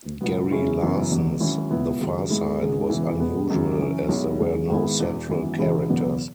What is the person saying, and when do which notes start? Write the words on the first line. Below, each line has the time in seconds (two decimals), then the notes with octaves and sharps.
Gary Larson's "The Far Side" was unusual, as there were no central characters.
0.21 C#2 B2 F#3 B3
0.51 F#2 C#3 G#3 C#4 E4
0.81 F#1 F#2 E3 B3
1.10 E1 E2 B2
1.40 G#1 G#2 F#3 C#4 E4
1.70 C#2 B2 B3 E4
2.00 G#1 F#2 C#3
2.30 G#2 G#3 B3 E4
2.59 G#1 G#2 G#3 C#4
2.90 E1 E2 C#3 E3 B3
3.20 E2 B2 G#3 B3
3.50 G#1 F#2 C#3
3.79 F#2 E3 C#4
4.09 B1 B2 G#3 E4
4.39 F#1 E2 C#3 E3 G#3
4.69 G#1 G#2 G#3 B3 E4
4.99 E1 E2 E3
5.29 G#1 F#2 E3 B3
5.58 E1 E2 C#3 G#3 E4
5.89 F#1 E2 B2 F#3 B3